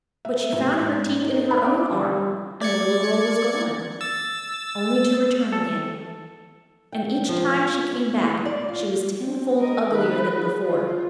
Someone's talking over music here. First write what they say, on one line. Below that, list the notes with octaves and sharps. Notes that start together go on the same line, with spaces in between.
But she found her teeth in her own arm, and the little girl was gone--only to return again; and each time she came back she was tenfold uglier than before.
E5
A1
G#2
D#4
B5
D6
G3
D5 G#6 C#7
E6 A6
A4
G5
F3
F4
E4
E2
D5
F4
C4
A#4 D#5
D#3 B4
G#4
F4